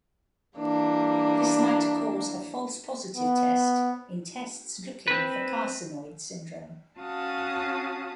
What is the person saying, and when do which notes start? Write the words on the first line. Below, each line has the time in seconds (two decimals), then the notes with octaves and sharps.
This might cause a false positive test in tests looking for carcinoid syndrome.
0.58 E3 G3 A#3 D4
3.16 B3
5.08 C4 B4
7.00 C#4 F#4 F5 A5 D#6